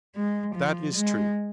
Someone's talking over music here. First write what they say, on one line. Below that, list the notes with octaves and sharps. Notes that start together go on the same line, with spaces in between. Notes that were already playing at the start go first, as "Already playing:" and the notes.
That is true.
G#3
F3
G#3